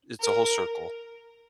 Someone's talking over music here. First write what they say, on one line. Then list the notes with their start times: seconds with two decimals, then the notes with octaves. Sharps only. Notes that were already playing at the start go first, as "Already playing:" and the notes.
it's a whole circle.
0.21 A#4